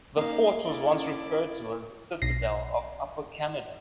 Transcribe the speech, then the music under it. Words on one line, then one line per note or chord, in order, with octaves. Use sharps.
The fort was once referred to as the "Citadel of Upper Canada".
A#3 C#4 D#4 F5 D#6
C#4 E4 A4 D5
B1 A#6 C7